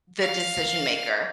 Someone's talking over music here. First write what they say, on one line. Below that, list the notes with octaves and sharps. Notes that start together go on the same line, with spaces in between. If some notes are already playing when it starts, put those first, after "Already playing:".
the decision maker,
F5